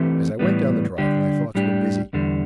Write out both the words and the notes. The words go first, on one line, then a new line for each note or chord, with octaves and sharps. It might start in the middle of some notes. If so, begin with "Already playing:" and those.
As I went down the drive, my thoughts were busy.
Already playing: E3 A3 C4 G4
A2 E3 G3 B3
D3 G3 D4 G4
A2 G3 D4 G4
E2 D3 G3